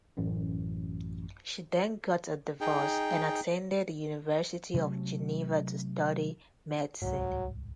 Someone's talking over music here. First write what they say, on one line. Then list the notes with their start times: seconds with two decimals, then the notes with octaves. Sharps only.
She then got a divorce, and attended the University of Geneva to study medicine.
0.17 A1 F#2
2.61 D#4 G#4 G5
4.74 C3 F#3 A3 C#4
7.02 D1 C2 G#2 F#3